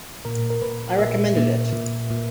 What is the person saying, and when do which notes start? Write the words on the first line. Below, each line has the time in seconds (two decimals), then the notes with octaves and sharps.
I recommended it.
0.25 A#2 A#4
0.50 A#4
0.62 A#2 B4
0.99 A#2 E5
1.36 A#2
1.73 A#2
2.10 A#2